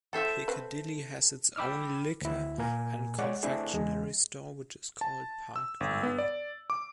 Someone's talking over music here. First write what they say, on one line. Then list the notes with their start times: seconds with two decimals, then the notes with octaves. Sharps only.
Piccadilly has its own liquor and confectionery store, which is called Parkview.
0.13 A3 E4 G4 A4 C5 E5
0.48 C4 B4
1.56 G5 B5 D6 E6 F6
2.22 D2 E4
2.58 A#2 A#3 A#4 G#5
3.19 G#3 C#5 D5 F#5
3.43 A3 C4 D4 E4 G#4 A4
3.74 E2 G#3
5.01 A5
5.56 E6
5.80 G1
6.03 B3
6.18 D5
6.70 D6